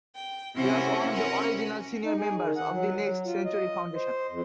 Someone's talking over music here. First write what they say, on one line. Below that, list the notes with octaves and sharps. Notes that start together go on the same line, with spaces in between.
He was one of the original senior members of the Next Century Foundation.
G5
C3 C#4 E4 F#4 C5
C#4 F#4 A#4
D#4
G#4
D#3
F#5
F#3
F#3
F4
D#5
C5
F2